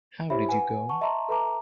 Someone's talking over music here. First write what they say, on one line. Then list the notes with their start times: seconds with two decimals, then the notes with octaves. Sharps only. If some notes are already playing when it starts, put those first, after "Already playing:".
How did you go?
0.30 E4 G4 C5 C#5 E5 B5
0.49 B4 F#5 G#5
0.89 F#5 A5 C#6
1.01 D#5 E5 A5 A#5 C6 C#6
1.29 A4 B4 E5 A5 A#5 D6